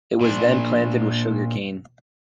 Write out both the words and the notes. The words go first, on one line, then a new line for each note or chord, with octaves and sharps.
It was then planted with sugarcane.
A#2 D4